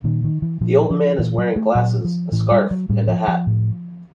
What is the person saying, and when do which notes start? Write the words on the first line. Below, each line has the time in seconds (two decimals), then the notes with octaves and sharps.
The old man is wearing glasses, a scarf, and a hat.
0.04 A#2 D#3
0.24 D#3
0.42 E3
0.61 A#2 F3
0.90 F3
1.19 A#2 E3
1.38 F#3
1.56 A3
1.75 A#2 F#3
2.04 F3
2.32 A2 E3
2.52 G3
2.71 F#3
2.89 A2 G3
3.08 F3
3.28 F3
3.47 A2